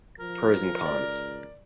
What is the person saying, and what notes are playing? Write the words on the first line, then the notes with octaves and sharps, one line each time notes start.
Pros and cons.
F3 A#4
C#2 D5